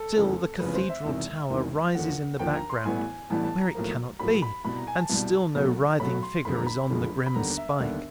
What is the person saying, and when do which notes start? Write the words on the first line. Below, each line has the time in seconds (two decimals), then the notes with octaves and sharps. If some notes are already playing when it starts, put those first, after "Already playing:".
Still the Cathedral Tower rises in the background, where it cannot be, and still no writhing figure is on the grim spike.
Already playing: A4
0.14 F1 E2 C#3 F3 G#3
0.60 F1 E2 C#3 F3 G#3 B4
0.75 C5
0.89 E5
1.05 E1 E2 C3 D#3
1.50 E1 E2 C3 D#3
1.95 D#2 D3 F3 F#5
2.39 D#2 D3 F3 G5
2.55 A#5
2.69 C6
2.85 A1 A2 E3 G3 B3 G#5
3.30 A1 A2 E3 G3 B3 A5
3.45 A5
3.60 A#5
3.75 B1 A2 F3 A#3
4.19 B1 A2 F3 A#3 B5
4.42 B5
4.64 C2 B2 G3 B5
4.76 A#5
4.87 G#5
4.98 A5
5.10 C2 B2 G3
5.55 B1 B2 F#3 A3
6.00 B1 B2 F#3 A3 B5
6.23 C6
6.45 F#1 F2 D3 F3 G#3 B5
6.56 A#5
6.66 B5
6.90 F#1 F2 D3 F3 G#3
7.26 B5
7.34 D#2 D3 G3 B3 A#5
7.57 E5
7.80 D#2 D3 G3 B3